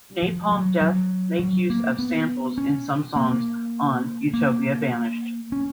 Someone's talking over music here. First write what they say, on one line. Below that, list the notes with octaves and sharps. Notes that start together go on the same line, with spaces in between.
Napalm Death make use of samples in some songs on "Utopia Banished".
F3
F#3
F#3
F#3
A#3
B3
C#4
A#3
A#3
C#4